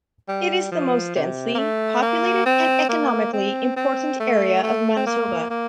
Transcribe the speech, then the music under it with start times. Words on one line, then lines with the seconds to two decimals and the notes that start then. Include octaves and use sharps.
It is the most densely populated and economically important area of Manitoba.
0.28 G3
0.71 F3
1.15 C3
1.54 A#3
1.59 A3
2.02 A#3
2.46 C4
2.89 A#3
3.33 C4
3.76 C4
4.20 A3
4.63 A3
4.96 C4
5.06 A#3
5.50 A#3